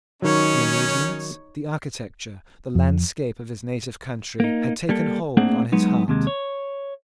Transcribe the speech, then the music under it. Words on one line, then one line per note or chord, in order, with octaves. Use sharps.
The amusements, the architecture, the landscape of his native country, had taken hold on his heart.
D#3 F#3 C#4 D#4 C#5
F2
A#3 D#4
G3 A#3 A4
A3 A#3 C4 D4 G#4 F#5
F#3 G#3 B3 D#4
D#2 C3 G#3
C#5